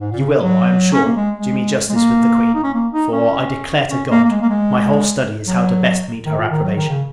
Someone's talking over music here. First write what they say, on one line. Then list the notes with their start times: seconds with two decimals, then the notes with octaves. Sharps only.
You will, I am sure, do me justice with the Queen; for, I declare to God, my whole study is, how to best meet her approbation.
0.01 G#2
0.12 A#2
0.19 C#3
0.39 F#3
0.93 C#4
1.05 A#3
1.17 G#3
1.38 G#3
1.90 G#3
1.95 A#3
2.55 D#4
2.64 C#4
2.74 A#3
2.93 D#4
3.13 C#4
3.90 C#4
4.10 A#3
4.25 A#3
4.30 G#3
4.41 A#3
4.50 G#3
5.47 F#3
6.26 D#3
6.38 A#2
6.51 D#3
6.64 F#3
6.77 D#3
6.89 C#3